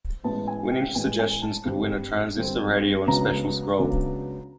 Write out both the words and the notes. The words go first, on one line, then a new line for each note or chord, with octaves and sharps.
Winning suggestions would win a transistor radio and special scroll.
A1 A2 E3 G#3 B3 A5
G#5
G5
A1 A2 E3 G#3 B3 G#5
G#5
A5
G2 D3 G3 C4
G2 D3 G3 C4
C#2 C#3 F#3 B3 D4 A#5
C#2 C#3 F#3 B3 D4